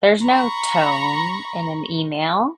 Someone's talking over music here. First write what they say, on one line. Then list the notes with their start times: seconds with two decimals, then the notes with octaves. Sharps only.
there's no tone in an email,
0.20 A#5 B5 C#6